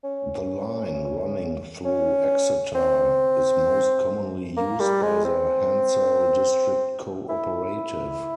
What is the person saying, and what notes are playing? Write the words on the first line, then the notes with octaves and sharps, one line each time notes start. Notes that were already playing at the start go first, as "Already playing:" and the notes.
The line running through Exeter is most commonly used by the Hensall District Co-Operative.
C#4
C#4
C4
A#3
G3
G#3
C4
E4